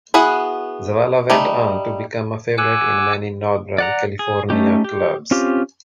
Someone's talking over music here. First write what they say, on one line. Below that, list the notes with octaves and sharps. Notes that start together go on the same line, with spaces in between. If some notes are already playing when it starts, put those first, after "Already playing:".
Zavala went on to become a favorite in many Northern California clubs.
B3 E4 F#4 G#4 F#5
G3 A3 D#4
F#5 G#5 D6 E6 F#6
D5 F#5 A#5
G#4
A3 A#3 C#4 D#4 G4
G4
C4 C#4 F4 G4